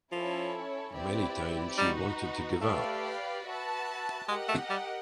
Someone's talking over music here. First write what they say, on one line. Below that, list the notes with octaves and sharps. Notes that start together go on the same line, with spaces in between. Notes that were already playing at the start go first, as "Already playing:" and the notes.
Many times she wanted to give up.
F3 C#4 E4 A4 C#5
C4 E4 G4 B4 D5
G3 D#4 F#4 B4
A3 G4 B4 D5 F5
F#4 B4 E5 A5
G#3 G4 A#4 D#5 F#5
A3
G3